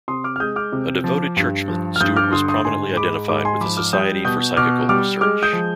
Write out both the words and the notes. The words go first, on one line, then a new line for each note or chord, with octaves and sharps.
A devoted churchman, Stewart was prominently identified with the Society for Psychical Research.
C3 C6 D#6
D6 F6
F6
G#3 D#6 G6
D6 F6
C3
F3
G2
F3
F6
G2 D#6 G6
D6 F6
D3 C6 D#6
C6 D#6
G#2 G#5 C6
G#3 B5 D6
G#2 B5 D6
G#5 C6
F3 B5 D6
D6 F6
G3 D#6 G6
B2 D#6 G6
B2 D6 F6
G3 D6 F6
G#3 D6 F6
D#6 G6
F3